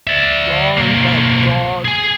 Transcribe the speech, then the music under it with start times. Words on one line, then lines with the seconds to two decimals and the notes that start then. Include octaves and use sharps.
"Gone by God."
0.07 D5 E5
0.77 B1 A#3
1.85 G#4 G#5